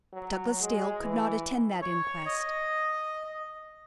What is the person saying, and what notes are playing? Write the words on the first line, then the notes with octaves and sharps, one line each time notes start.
Douglas Dale could not attend that inquest.
F#3
G#3
E3
C#5
D#5